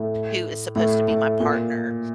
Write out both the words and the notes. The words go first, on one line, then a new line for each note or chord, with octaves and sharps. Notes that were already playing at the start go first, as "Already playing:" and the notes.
who is supposed to be my partner
Already playing: A2
A2
A2
A#2